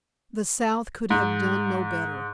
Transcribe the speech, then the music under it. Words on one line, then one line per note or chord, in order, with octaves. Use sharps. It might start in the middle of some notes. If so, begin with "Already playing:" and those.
The South could have done no better.
G#2